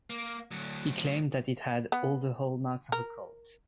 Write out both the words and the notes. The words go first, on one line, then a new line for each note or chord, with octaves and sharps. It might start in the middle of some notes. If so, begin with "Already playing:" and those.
He claimed that it had "all the hallmarks of a cult".
A#3
D2 F#3
B3
A#4